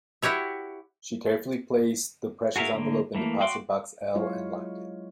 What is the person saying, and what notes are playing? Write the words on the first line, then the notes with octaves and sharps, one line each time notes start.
She carefully placed the precious envelope in deposit box L and locked it.
E4 F#4 G4 C#5 E5
F#4 G#4 A#4 E5 F5
D3 A#3
E3 A3 A#3
F#4 F5 G5 C6 D6
F#3 G#3 E4 F4 C#5 F5